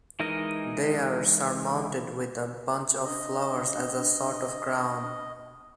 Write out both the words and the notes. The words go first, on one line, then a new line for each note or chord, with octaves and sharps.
They are surmounted with a bunch of flowers as a sort of crown.
E3 G#3 D#4 A#4 D#5
D4 D#5